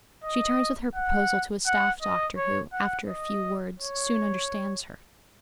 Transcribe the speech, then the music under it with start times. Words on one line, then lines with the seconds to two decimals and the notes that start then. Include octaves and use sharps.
She turns with her proposal to a staff doctor who, after a few words, soon understands her.
0.24 D#5
0.95 F#5
1.66 F#5
2.02 D#5
2.37 C#5
2.73 F#5
3.08 D#5
3.79 C#5